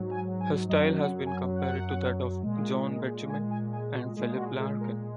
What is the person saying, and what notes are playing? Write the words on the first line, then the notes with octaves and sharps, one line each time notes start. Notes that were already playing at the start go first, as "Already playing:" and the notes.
Her style has been compared to that of John Betjeman and Philip Larkin.
Already playing: G#2 F#3
G#5
G#5
F#2 F#3 D#5
F#5
G#5
F#5
A#2 G#3
G#5
G#5
G#5
F#4
A#2 G#3 G#4
F#4
G#4
A#4